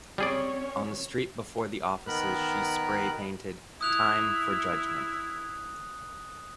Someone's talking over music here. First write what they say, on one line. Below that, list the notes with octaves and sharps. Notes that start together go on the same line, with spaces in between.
On the street before the offices she spray painted "Time for judgement".
G3 C4 C#4 G#4 C#5 D5
D#3 B3 A#4 B5 F#6
E4 D#6 F#6 F7